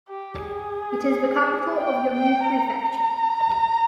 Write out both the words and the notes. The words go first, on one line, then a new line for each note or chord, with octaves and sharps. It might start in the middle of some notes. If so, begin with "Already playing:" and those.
It is the capital of Yomou Prefecture.
G4
G#4
G5
G5
A#5